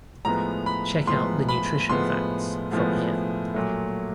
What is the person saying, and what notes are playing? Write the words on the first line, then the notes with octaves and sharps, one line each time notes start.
Check out the Nutrition facts from here.
A2 F3 G#3 B3 A#5
B5
A2 F3 G#3 B3 C6
B5
A2 F3 G#3 B3 C6
A2 F3 G#3 B3
A#2 F#3 A3